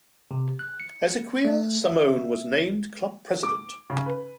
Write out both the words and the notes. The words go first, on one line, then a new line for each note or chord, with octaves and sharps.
Ezequiel Simone was named club president.
C3
F#6
C#7
A3
E5
D6
C#3
B4